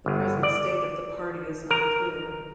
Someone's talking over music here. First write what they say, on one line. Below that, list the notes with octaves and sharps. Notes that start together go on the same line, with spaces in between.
The present state of the party is unclear.
G1
D5
A#4